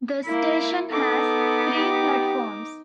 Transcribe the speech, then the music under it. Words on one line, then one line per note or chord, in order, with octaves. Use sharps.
The station has three platforms.
A#3 E4
B3 D#4 A4 D6
G4